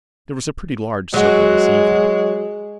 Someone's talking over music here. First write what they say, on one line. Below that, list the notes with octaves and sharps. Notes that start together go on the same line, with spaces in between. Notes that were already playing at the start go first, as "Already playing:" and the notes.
There was a pretty large circle this evening.
F#3 G#3 F#4